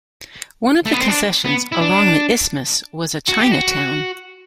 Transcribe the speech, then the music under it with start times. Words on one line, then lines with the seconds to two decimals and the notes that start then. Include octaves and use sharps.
One of the concessions along the isthmus was a "China Town".
0.86 A3
0.93 B3
1.00 C4
1.08 D4
1.45 B3
1.72 E4
1.81 D4
3.29 F#4
3.39 G4
3.52 F#4